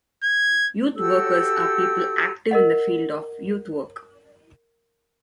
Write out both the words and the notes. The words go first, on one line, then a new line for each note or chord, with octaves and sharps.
Youth workers are people active in the field of youth work.
G#6
F#4 G4 A4 E6
A#4 D#5 F#5